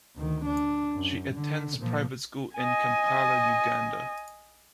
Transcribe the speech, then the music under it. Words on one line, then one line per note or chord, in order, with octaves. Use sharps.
She attends private school in Kampala, Uganda.
D2 D#3
D4
F#2
D3
A#2 F3
D#5 G#5